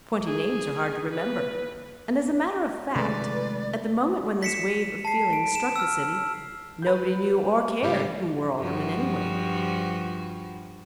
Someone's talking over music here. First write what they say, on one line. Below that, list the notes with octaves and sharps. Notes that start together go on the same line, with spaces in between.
Twenty names are hard to remember, and as a matter of fact, at the moment when this wave of feeling struck the city, nobody knew or cared who were aldermen, anyway.
G#4
B4
C3 D#3 F3 G#3 A3 B4 D5
B6 C#7 E7
A5 C7
D7
E7
E6 F6
B4 G6
G#2 C#3 G3
G2 F3 F#4